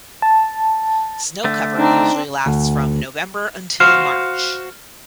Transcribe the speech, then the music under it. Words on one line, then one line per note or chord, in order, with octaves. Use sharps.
Snow cover usually lasts from November until March.
A5
D3 A3
C4 D4 D#4
D2
F#4 C5 F5 F6